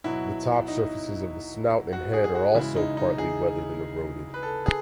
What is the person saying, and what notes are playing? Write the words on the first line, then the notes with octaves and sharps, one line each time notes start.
The top surfaces of the snout and head are also partly weathered and eroded.
B2 F#3 E4
D#4
F#4
G#4
G#4
F#4
C#3 E3 G#3 E4
D#4
D#4
G#4
B4
A4
G#4